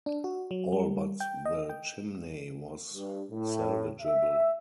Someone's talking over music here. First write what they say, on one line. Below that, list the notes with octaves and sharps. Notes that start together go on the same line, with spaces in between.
All but the chimney was salvageable.
D4
F#4
F#3
G3
G5
D#5
G5
G2
A2
E5